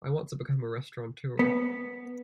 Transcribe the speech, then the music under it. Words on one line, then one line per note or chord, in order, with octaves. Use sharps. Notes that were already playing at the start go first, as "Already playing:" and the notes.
I want to become a Restaurateur.
B3